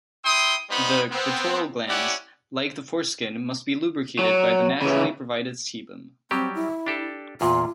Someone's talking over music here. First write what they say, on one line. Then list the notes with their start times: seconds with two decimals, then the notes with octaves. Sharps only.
The clitoral glans, like the foreskin, must be lubricated by the naturally provided sebum.
0.24 E4 G5 C6 D#6
0.70 G3 B3 D#4 C5 B5
1.11 B3 C4
1.89 C#4 E4 G4 D5 F#5
4.19 F#3
4.82 C#3 E3
6.31 F#3 G3 C4 G4
6.55 E4
6.86 D4 G4 A4
7.41 E2 A#2 F4